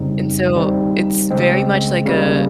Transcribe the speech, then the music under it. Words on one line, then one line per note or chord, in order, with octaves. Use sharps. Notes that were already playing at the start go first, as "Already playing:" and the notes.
And so it's very much like a
Already playing: F2 C#3 G3 C4 D#4
D#3 G3 C4 D#4
C#3 G#3 C4
C#3 G3 A#3